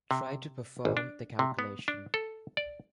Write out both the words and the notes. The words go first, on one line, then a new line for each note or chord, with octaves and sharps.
Try to perform the calculation.
C3
G#1
D4
C3
B3
D4
A4
D5